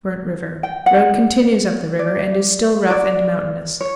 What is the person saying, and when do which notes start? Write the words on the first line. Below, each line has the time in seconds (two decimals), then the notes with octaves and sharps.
Burnt River.--Road continues up the river, and is still rough and mountainous.
0.63 G5
0.86 F#5
1.99 D5
2.90 D5
3.81 C#5